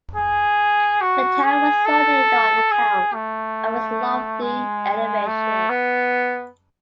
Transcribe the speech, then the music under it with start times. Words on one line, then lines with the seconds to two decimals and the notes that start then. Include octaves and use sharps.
The town was so named on account of its lofty elevation.
0.16 G#4
1.01 F#4
1.44 G#4
1.86 A4
2.71 G#4
3.14 A3
4.41 G#3
5.27 A3
5.69 B3